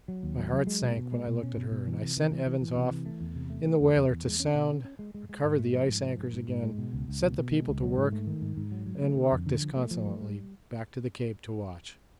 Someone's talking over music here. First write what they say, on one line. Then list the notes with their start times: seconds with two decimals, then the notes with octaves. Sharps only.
My heart sank when I looked at her and I sent Evans off in the whaler to sound, recovered the ice anchors again, set the people to work, and walked disconsolately back to the Cape to watch.
0.08 F#3
0.23 D#2
0.38 F#3
0.53 F#3
0.67 G#3
0.83 B2
0.97 B2
1.12 G#3
1.27 B2
1.42 C#4
1.57 B2
1.71 B2
1.87 E3
2.02 C3
2.17 E3
2.32 E3
2.46 E3
2.61 E3
2.76 C3
2.91 E3
3.06 A3
3.21 E2
3.35 C3
3.50 A3
3.65 A3
3.80 E2
3.96 E2
4.10 E2
4.25 G#3
4.40 C#4
4.54 B2
4.70 C#4
4.85 C#4
4.99 G#3
5.14 G#3
5.29 G#3
5.44 G#2
5.59 A3
5.73 F3
5.88 G#2
6.04 F3
6.18 G#2
6.33 G#2
6.48 G#2
6.63 G#3
6.78 B2
6.93 C#2
7.08 C#2
7.23 B2
7.38 B2
7.53 G#3
7.67 C#2
7.83 F#3
7.97 G#2
8.13 A3
8.27 D#3
8.42 G#2
8.57 G#2
8.71 F#3
8.86 F#3
9.01 A3
9.16 D3
9.32 F2
9.46 D3
9.61 F3
9.76 A3
9.91 F3
10.05 A3
10.21 G3